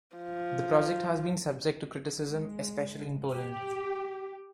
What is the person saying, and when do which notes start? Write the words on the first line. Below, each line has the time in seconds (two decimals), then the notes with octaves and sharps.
The project has been subject to criticism, especially in Poland.
0.17 F3
2.28 G#3
3.32 G4